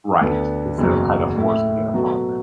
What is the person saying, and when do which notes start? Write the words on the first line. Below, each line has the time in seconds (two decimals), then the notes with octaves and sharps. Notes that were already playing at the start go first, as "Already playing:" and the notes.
Right. Instead of, kind of, forcing it upon them.
0.21 D2 D3 B3 D4
0.78 F#1 E2 B2 F#3
1.36 A2 A3 E4
1.94 B2 F#3 B3 F#4 A4